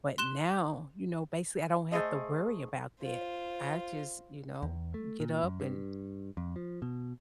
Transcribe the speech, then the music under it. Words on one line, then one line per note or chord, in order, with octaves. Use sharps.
but now, you know, basically, I don't have to worry about that. I just, you know, get up and
C6 F#6 E7 G7
A3 G#4 C5 D#5
F4 C5
E2
A3
A#2
F#2
G2
F2
F3
B2